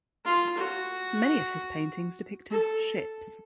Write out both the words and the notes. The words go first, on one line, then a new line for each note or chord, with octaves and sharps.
Many of his paintings depicted ships.
F4
F#4
A4